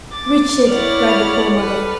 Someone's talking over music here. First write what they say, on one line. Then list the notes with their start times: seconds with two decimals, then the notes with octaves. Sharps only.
"Richard!" cried the poor mother.
0.12 D6 A6
0.68 E4 C#5 D5 F#5 F6 A6
1.58 A4 B4 F6